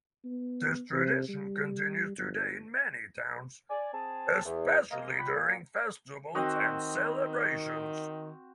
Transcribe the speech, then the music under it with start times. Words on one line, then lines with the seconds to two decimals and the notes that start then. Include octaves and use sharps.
This tradition continues today in many towns, especially during festivals and celebrations.
0.25 B3
0.93 C3
1.28 G3
2.18 G1
3.70 D5 G#5
3.93 C4 G#4 A5
4.45 E2
4.91 G#3 A#3 D#5
5.19 F4 D5 F#5 G5 B5
5.35 A#2
6.35 D#3 C4 F#4 D#6